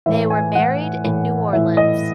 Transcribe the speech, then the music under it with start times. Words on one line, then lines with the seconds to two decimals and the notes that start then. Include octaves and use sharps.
They were married in New Orleans.
0.06 A2 E3 E5
0.30 G#5
0.55 A2 E3 F#5
1.04 A2 E3
1.53 A2 E3 E5
1.77 D#5